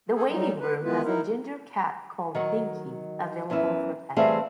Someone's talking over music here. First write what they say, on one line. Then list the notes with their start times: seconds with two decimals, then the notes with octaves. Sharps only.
The waiting room has a ginger cat called Dinky available for petting.
0.15 G#4 A4
0.30 F#3 G3 D#4
0.60 B4
0.83 D#3 G#3 B3 E4 F4 B4
1.04 D#4 E4 A#4
2.35 D#3 F#3 F#5
3.50 F#2 E3 B3 C#4 E4
4.16 E3 G3 A3 C4 G#4 F5